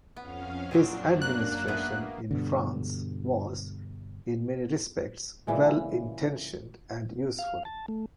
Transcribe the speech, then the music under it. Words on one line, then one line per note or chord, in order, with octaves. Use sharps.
His administration in France was, in many respects, well-intentioned and useful.
F2 B3 C#4 F5
F#2 A#2 F#3 C4 D4 G#4
A#3 F#6
A3 B3 G#4
G2 B2 D3
A#2 C#3 E3 G#3
F5
A5
A3